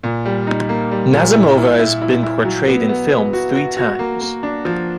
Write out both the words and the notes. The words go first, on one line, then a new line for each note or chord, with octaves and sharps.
Nazimova has been portrayed in film three times.
A#2
G3
D#4
A#3
G3
A#2
E4
E4
E4
E4
E4
F#3
B3
B3
B3
F#4
F#4
F#4
A#3
A#3
D4
F3